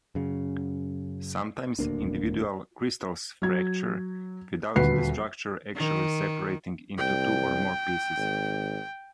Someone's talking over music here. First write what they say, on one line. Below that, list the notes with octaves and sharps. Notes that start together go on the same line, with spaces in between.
Sometimes, individual crystals fracture without the structure actually separating into two or more pieces.
F#2 C#3
D#1 D2 A#3 D4
F#3 G#6
D#1 D2 F#4 B4 C7
D#3
C2 G5
G#1